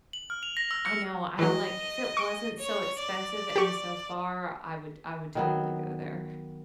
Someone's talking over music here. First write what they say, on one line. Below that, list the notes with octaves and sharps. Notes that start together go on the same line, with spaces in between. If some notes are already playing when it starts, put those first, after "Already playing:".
I know, I'm like, "If it wasn't so expensive and so far, I would I would totally go there."
F#7
F6
F7
A#6
E6
C#7
E3 F#3 D#5
C#6 D7
C#5
D5
G4 C#6
D#3 F#3 B3